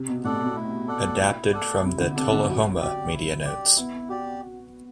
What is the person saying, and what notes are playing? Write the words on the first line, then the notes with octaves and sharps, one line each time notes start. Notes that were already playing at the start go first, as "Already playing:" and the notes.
Adapted from the "Tullahoma" media notes.
Already playing: C3
B2
A2 A4 D5 F#5
B2
E4
A4 D5 F#5
E4
A4 D5 F#5
C3 E4
D3
C3 A4 D5 F#5
D3
F#3 E4
G4 D5
E4
G4 D5
B3 E4
F#4 G4 D5